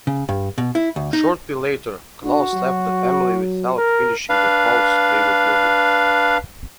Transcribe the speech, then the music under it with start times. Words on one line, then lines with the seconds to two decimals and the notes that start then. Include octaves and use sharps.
Shortly later, Claus left the family without finishing the house they were building.
0.07 C#3
0.29 G2
0.58 B2
0.75 E4
0.96 D2
1.13 D#4
2.23 D4 F#4
2.54 F#3
3.77 A#4
4.29 D4 B4 F5